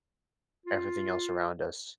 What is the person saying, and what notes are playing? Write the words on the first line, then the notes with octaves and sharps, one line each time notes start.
everything else around us.
F4